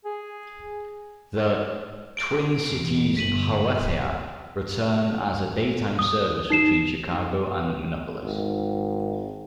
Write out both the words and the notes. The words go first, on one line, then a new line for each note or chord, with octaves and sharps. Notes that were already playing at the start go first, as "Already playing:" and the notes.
The "Twin Cities Hiawatha" returned as a daytime service between Chicago and Minneapolis.
G#4
D7
E2
G1 B6 D#7 F#7
D#6
D#4 C7 E7
G#1